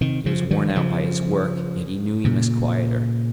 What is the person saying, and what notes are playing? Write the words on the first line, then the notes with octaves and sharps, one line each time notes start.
He was worn out by his work, yet he knew he must quiet her.
C3 D#3
C#3 F3
D#3 F#3
F#3
C#3 F3
A#2 C#3